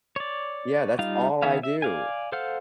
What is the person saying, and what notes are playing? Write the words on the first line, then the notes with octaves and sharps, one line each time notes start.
Yeah. That's all I do.
C#5 D5
G3 D#4 F4 F5
D#3 B3 G#4 E5 F5
E5
D5 F5 G#5
A4 C5 F5 F#5 F6